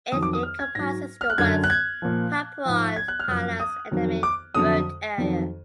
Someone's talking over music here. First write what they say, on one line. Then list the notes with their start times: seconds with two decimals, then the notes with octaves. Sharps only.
It encompasses the West Papuan highlands endemic bird area.
0.12 F2 D#3 F#3 D#6
0.22 D6
0.33 D#6
0.43 F6
0.59 G#6
0.75 G#2 F#3 A#6
1.21 F6
1.30 F#6
1.38 F#2 D3 F#3 G#6
1.64 F#6
1.70 G#6
2.02 A#2 F3
2.65 G#2 F3
2.96 G#6
3.08 F#6
3.20 F6
3.28 F#2 F3 F#6
3.60 D#6
3.91 F2 D#3 F#3
4.23 D6
4.55 F2 D3 F#3 D#6
5.18 F2 D#3 F#3